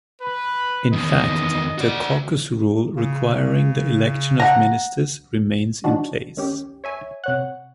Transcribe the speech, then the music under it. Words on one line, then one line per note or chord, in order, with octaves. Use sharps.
In fact, the Caucus rule requiring the election of ministers remains in place.
B4
E2 D#3 D#5
F#4 D5
C#3
F#5 A#5
E3 F#3 G#3 D4 D#4 F#4
D#3 C#4 G4
C#5 E5 G#5
C3 C#5 F#5